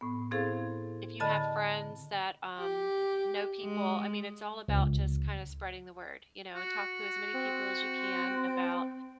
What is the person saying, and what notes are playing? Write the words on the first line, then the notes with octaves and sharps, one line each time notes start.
if you have friends that, um, know people I mean, it's all about just kinda spreading the word, you know, talk to as many people as you can about
A2 B3
C4 E4 G#4 A4 C5 F5
D3 D#5 A5 B5 A6
G4
G#3
C#2
F#4
C4